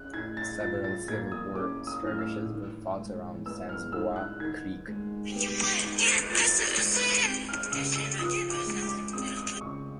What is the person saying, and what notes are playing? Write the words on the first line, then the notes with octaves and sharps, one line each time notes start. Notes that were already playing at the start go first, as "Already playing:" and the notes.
Several Civil War skirmishes were fought around Sans Bois Creek.
Already playing: C#4 F#6
A2 G#6
A6
F3 A6
A6
A#3 G#6
D#6
C#4 D6
D#6
A2 F6
E6
D#3
G#3
B3 E6
F6
G#2 E6
F#6
D#3 G#6
G#3
B3
G#2
F3 A6
A#6
A6
G#3
C4
F6
C#3 E6
E6
F3 D#6
D6
G#3
D6
C4 D#6
D#6
C#3 C#6